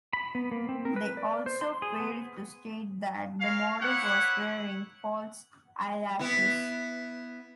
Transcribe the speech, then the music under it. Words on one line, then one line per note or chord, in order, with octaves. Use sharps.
They also failed to state that the model was wearing false eyelashes.
B5
B3
A#3
C4
A#4
B4
D5
C5
C6
G#4
B3
A#4 C#5 F5
E4 G4 B4 C#5 F#5
B3 E4